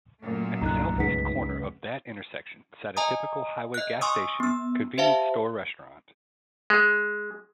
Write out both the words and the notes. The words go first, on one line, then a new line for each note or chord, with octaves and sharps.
At the southeast corner of that intersection sat a typical highway gas station-convenience store-restaurant.
F#2 A#2 A3
C2 G2 D#4 A#5 F#6
C#2 G#3 B4 F#5 B6
D#5 G#5 A#5 D#6
D#5 F#6
G#5 C6 C#6 D#6 E6
B3 E6
G4 C5 E5 F5 A5
G#3